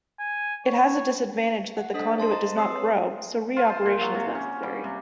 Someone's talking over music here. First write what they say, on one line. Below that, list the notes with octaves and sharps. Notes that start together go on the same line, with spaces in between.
It has a disadvantage that the conduit does not grow, so re-operation is necessary.
G#5
C#5
F#5
D4 A4 C5 D#5 D#6 B6
C5 A5 C6
C5 D#5 A#5
C4 C#5 C6 D#6 E6 C7
B4 C#5
F4
C5
A#2
F#3
C3
C#4
G3
C3